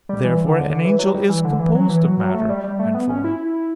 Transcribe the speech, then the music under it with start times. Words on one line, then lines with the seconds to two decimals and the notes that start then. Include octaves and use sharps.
Therefore an angel is composed of matter and form.
0.09 G3
0.24 E3
0.46 D3
0.70 D3
0.85 E3
0.99 F#3
1.15 G3
1.29 E3
1.44 D3
1.59 E3
1.75 F#3
1.89 E3
2.04 F#3
2.20 F#3
2.34 A3
2.49 G3
2.64 G3
2.79 A3
2.94 B3
3.09 C#4
3.24 E4